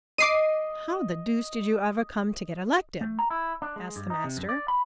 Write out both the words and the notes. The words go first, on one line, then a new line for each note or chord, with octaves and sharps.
"How the deuce did you ever come to get elected?" asked the master.
D#5 D6 C7 D#7
A3
A#5
E4
D4
G#3
G2
D#4
C3
F#2
D5
B5